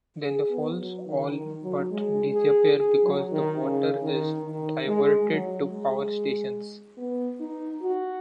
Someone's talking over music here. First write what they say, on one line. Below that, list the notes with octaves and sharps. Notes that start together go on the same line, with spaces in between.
Then the falls all but disappear because the water is diverted to power stations.
G#4
B3
F#3
D#3
D#3
F#3
G#3
G#4
G#4
F#3
D#3
C#3
D#3
D#3
G#3
F#3
G#3
B3
D#4
F#4